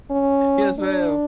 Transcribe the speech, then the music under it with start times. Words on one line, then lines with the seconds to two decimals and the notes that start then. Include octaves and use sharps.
Yes, ma'am.
0.11 C#4
0.79 D4